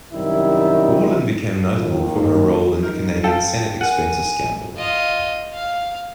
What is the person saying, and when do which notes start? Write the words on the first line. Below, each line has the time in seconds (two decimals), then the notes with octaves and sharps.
Wallin became notable for her role in the Canadian Senate expenses scandal.
0.13 F#2 C3 D#3 G3 E4
1.81 D#2 D#3
2.83 D#4 A#4
3.24 A4 F5 G5
3.81 A#4 F#5 G#5
4.77 F4 D#5
5.53 F5